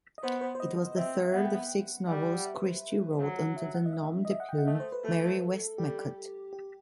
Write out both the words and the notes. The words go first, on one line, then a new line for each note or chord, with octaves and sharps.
It was the third of six novels Christie wrote under the nom-de-plume Mary Westmacott.
D#5
B3 C5
C5
C5
D#5
C4 E5
B3 F#5
G5
F#5
G3 F#5
E5
B4
C5
F#3
E5
F#5
D#5
E5
D#5
E5
F#5
G5
F#5
A3 D#5
C5
B4
A3 A4
G3 G4
G4